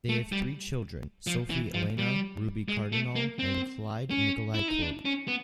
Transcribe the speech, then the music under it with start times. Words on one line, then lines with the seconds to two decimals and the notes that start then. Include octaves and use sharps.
They have three children: Sophie Elena, Ruby Cardinahl and Clyde Nikolai Corley.
0.09 A3
0.32 G3
1.27 F3
1.50 E3
1.74 F3
1.98 G3
2.68 G#3
2.92 A3
3.16 A#3
3.39 C4
4.11 C#4
4.54 E4
4.68 D#4
4.82 D4
5.05 C#4
5.28 B3